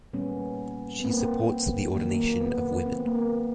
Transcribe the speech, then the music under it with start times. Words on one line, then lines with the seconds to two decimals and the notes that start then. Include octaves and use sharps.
She supports the ordination of women.
0.13 A#2 G3 A#3 B3 C#4
1.00 B3
1.04 A#3 C4
1.94 D#3 F#3 A#3
2.15 A#3
2.40 B3
2.86 C4
2.96 B3
3.05 A#3
3.16 B3